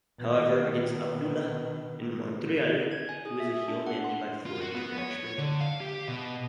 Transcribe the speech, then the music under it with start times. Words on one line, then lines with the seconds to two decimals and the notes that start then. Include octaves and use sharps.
However against Abdullah in Montreal he was a heel managed by Floyd Creatchman.
0.18 B2 D#3
2.91 G#6
3.09 G#5
3.25 G#4
3.40 E5
3.68 D4
3.87 F#5
4.04 C6
4.46 F4
4.61 F#4
4.75 B3
4.99 C#5
5.38 D3
5.61 F5
5.81 G4
6.08 B2